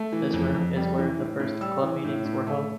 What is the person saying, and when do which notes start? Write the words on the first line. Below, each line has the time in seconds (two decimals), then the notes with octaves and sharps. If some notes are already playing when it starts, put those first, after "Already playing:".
This room is where the first club meetings were held.
Already playing: A3
0.12 E3
0.33 F2
0.55 F2
0.76 G3
0.98 E3
1.19 A2
1.40 A2
1.61 G3 E6
1.83 E3
2.04 A2
2.25 A2
2.47 A3